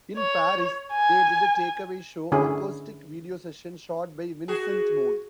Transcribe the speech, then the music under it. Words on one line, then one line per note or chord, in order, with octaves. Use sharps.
In Paris, they did a "Take-Away Show" acoustic video session shot by Vincent Moon.
C#5
G#5
D3 C#4 E4 G#4
F#4 G#4